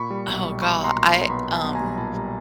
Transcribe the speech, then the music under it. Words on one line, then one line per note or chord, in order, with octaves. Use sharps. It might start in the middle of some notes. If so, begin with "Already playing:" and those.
Oh, go I, um
Already playing: A#2 B5 C#6
G3
B1
G3
B1 B5 C#6
B1
A#5 C6
A#2
B5 C#6
B1
B3 B5 C#6
B3
A5 B5
B1
G#5 A#5
G3
A#2 A5 B5
G3